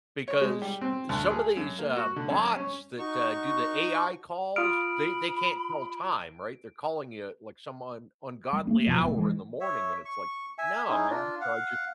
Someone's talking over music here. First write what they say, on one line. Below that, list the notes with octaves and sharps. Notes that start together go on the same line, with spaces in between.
because, some of these, uh, bots that, uh, do the AI calls, they they can't tell time, right? They're calling you at, like, some un ungodly hour in the morning, and it's like, "No, man." So, I just
C#5
G#3
G3
C4
D2
G#4
F#2
A#3
F#4
D3
F#2
C#4
D#4 F#4 C#6
F4 B5 D#6 F6 D7
G3
A3 A#3 C4
F#2 B2 F3
F#1 C2 A2
E3 G#3
C#5 E5
C#6
E5 G#5
C#4 D#4 E4 G#4
D4 F4
F5 F#5